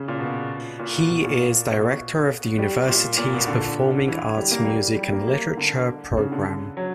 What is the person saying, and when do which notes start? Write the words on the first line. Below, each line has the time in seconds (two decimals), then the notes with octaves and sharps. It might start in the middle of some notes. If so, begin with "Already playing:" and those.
He is director of the university's Performing Arts Music and Literature Program.
Already playing: C#3
0.08 A#2
0.19 B2
0.79 A#2
1.10 B2
1.24 A#2
1.68 B2
2.58 G3
2.88 A#2
3.18 A#2
3.33 B2
3.48 D3
4.08 E3
4.38 G3
4.52 A#3
4.65 G3
4.97 G3
5.12 A#3
5.27 A#3
5.57 D3
6.17 C#3
6.32 D3
6.77 F#3